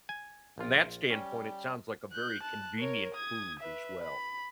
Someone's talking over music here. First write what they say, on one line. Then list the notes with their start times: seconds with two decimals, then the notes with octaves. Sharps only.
from that standpoint, it sounds like a very convenient food, as well.
0.09 G#5
0.58 A#1 F4
1.10 G3 C#4
2.12 F#6 G6
2.43 A5 F#6
2.78 A#4 C#5
3.15 D#6 G#6
3.60 B4 E5
4.03 B5